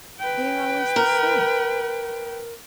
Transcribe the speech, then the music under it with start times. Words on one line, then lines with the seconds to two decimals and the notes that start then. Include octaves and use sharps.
"They are always the same."
0.19 B4 G5
0.96 A#4